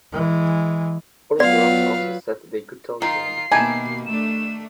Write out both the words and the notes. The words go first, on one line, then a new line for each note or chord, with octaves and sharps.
Other girls also said they could talk to him.
E3 G#3
F#3 B3 F4 B4 D5 F5
D#3 D#4 F4 C7
B2 D#3 A#3 E4 G4 G#5 A5
A3 D4 E7